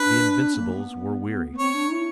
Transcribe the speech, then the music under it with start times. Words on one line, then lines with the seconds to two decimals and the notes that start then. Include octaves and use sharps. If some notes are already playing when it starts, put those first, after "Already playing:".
The Invincibles were weary.
Already playing: D4 B4
0.55 A#3
0.73 B3
1.53 B3
1.58 C4 C#5
1.74 D4
1.88 D#4
1.92 E4